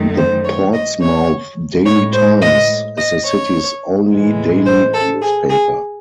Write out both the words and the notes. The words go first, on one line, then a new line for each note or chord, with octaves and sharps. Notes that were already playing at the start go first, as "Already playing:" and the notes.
The Portsmouth Daily Times is the city's only daily newspaper.
Already playing: F#2 D#3 A3
C5
C#5
D#5
C#5
A2 G#3 C#5
C5
D#5
D#5
C#5
A2 E3 G#3
C5
A4
G#4
G#4